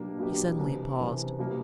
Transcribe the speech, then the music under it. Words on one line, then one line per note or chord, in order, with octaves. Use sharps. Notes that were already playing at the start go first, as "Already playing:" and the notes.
He suddenly paused.
Already playing: B2 F#3 A#3 D4 G4
B2 F#3 A#3 D4 G4
C2 C3 E3
C2 C3 E3
B2 G3 A#3